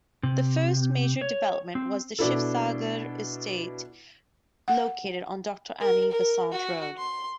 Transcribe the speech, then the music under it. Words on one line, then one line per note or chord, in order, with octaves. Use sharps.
The first major development was the Shivsagar Estate located on Doctor Annie Besant Road.
C3
C#5
C4
B2 D4 E4 A4
F#5
A#4
A#4
F#4
C6